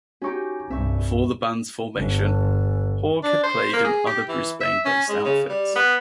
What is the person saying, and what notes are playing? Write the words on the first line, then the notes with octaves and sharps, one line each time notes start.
Before the band's formation, Haug had played in other Brisbane-based outfits.
C#4 D#4 F#4 G4 C#6
C2 G2 C4 E5 C#6
G1
D4
C5
A#3
G#4
G4
E3
E5
C#4
G#3
C#3
G3
B3